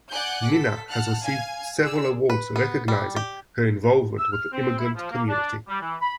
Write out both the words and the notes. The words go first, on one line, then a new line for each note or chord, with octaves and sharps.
Minna has received several awards recognizing her involvement with the immigrant community.
D5 F#5 G#5 D6 F#6 G6
A4 B6
F#5 A5 F6 F#6
F5 G#5 G#6
G#4 D5 E6
B4
B3
G3
G4
E6
F6
C4
E4
F3
A#3
D4
G3
E3
B5